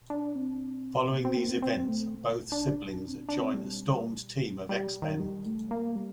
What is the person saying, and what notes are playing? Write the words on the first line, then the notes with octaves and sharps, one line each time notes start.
Following these events, both siblings join Storm's team of X-Men.
D4
C4
A#3
C4
A#3
C4
C4
A3
D4
C4
D4
D4
C4
G3
G3
D#3
G3
A3
A#3
G3